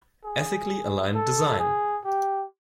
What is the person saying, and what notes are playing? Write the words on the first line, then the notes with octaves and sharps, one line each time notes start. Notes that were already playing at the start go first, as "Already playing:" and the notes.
Ethically Aligned Design.
G#4
A4
G#4
G4